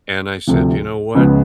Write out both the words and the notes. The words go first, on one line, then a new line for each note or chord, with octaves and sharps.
And I said, "You know what?
D2 C3 F3
C#2 C#3 F3 G#3 B3